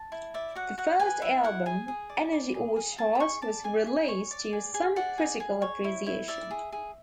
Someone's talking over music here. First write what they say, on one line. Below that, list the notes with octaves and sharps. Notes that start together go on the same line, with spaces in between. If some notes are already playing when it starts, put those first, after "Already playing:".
The first album, "Energy Orchard", was released to some critical appreciation.
Already playing: A5
E4
D5 E5
F#4 F#5
F#4 F#5
B4 G#5
E4 E5
E4 F#5
G#4 G#5
G#4
D5
D5
G#4
G#4
G#4 A5
B5
G#4 C#6
D5 A5
G#4 G#5
G#4
C#5
D5
G#4
G#4
D5 F#5
G#4
G#4
C#5
E4
E4
D5 E5
G#4
G#4